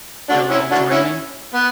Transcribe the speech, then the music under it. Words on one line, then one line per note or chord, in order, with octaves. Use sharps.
You'll join me?
D4 F#4
C#4 E4
D4 F#4
C#4 E4
B3